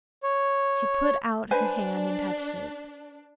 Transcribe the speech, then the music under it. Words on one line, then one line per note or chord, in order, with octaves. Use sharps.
She put out her hand and touched his.
C#5
D4 B4 C5 G#5